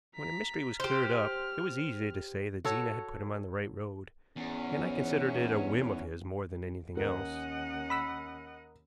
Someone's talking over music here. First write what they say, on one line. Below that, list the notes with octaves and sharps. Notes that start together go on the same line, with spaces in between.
When a mystery was cleared up, it was easy to say that Zena had put him on the right road, and I considered it a whim of his more than anything else.
A#5 B6
G4 C5 F6
F#4 A4 C#5
E2 G#2 C#4
D#2 C#4 A#4 D#5 F#5
B5 E6 B6